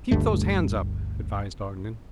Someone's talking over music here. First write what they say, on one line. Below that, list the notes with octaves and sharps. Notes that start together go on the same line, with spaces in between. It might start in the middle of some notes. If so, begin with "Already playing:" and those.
"Keep those hands up!" advised Ogden.
G1 D2 G2 A3